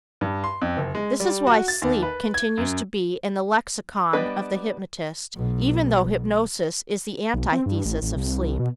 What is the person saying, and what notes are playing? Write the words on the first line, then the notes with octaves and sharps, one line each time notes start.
This is why "sleep" continues to be in the lexicon of the hypnotist even though hypnosis is the antithesis of sleep.
G2
C6
F2
F#1
G#3
G3
F#4
A6
D#2
B4
G#6
F#2
G3 B3 D4 B4 D#5
B1 B2
B1
C4
G2
A1
A1
C2
B2